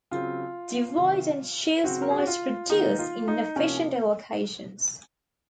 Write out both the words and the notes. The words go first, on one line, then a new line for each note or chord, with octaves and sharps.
Divide-and-choose might produce inefficient allocations.
C#3 F#3 C4 F4
C3 D#3 F#3
C#3 F#3 C4 F#4
A#4
G#4
F#4
F4
D#3 A#3 D#4
F4
D#4
C3 F3 A#3 C#4